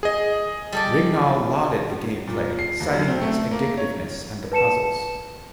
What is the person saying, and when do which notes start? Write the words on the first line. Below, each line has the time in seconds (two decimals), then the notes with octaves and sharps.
Rignall lauded the gameplay, citing its addictiveness and the puzzles.
0.03 G#4 D#5
0.72 G3 A4 D5
2.27 A#2
2.59 C7
2.80 D#2
2.93 F#2
3.08 C4
3.21 A3
3.51 A#3
3.78 C#5
4.52 B4 A5 C#7 E7